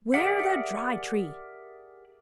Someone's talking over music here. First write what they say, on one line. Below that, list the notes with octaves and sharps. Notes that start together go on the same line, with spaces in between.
Ware the Dry Tree!
G4 G#4 A#4 D5 E5 F#5